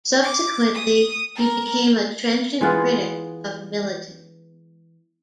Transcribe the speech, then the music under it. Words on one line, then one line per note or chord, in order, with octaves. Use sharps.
Subsequently, he became a trenchant critic of Militant.
D6
D#6
A#4
E3 G#3 B3 F4